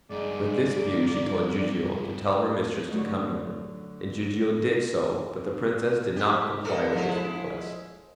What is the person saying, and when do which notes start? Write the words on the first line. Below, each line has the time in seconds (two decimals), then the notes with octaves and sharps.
With this view she told Jijiu to tell her mistress to come to her, and Jijiu did so; but the Princess did not comply with this request.
0.10 G2 G#3 A#3 D#4 D5
0.91 D3
2.91 D3 F#3 A3 D#5
6.16 G4
6.64 B2 A4 A#4
6.93 F3 G#3 E4